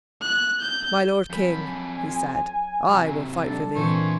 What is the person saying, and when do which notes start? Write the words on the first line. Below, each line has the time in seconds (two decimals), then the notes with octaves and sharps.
"My Lord King," he said, "I will fight for thee."
0.21 F#6
0.61 G6
1.30 F2 F#3 G#5 B5 G6
2.90 C3 F#3
3.43 G3 D4 A4
3.75 A#2 E3 C4 C5 G#5 C#6